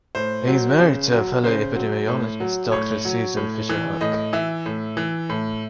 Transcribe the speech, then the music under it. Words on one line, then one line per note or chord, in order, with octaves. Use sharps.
He is married to a fellow epidemiologist Doctor Susan Fisher-Hoch.
A2 C5
F#3
C#3
F#3
C#3 C5
F#3
A2
F#3
A2 C#5
F#3
A2
E3
A2 D#5
E3 E5
A2
E3
A2